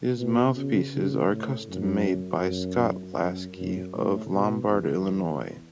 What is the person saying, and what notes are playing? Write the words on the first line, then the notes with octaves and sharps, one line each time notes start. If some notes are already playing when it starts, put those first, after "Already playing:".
His mouthpieces are custom-made by Scott Laskey, of Lombard, Illinois.
B2
C#3
C#3
A2
F#2
F#2
F#2
F#2
A2
B2
E2